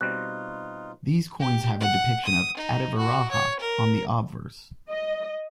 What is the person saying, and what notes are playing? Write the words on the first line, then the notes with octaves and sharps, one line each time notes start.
These coins have a depiction of "Adivaraha" on the obverse.
B2 G3 C4 D#4 F4 F#6
G4
F#5
D#6
D#4
F#4
C#5
A#4
D#5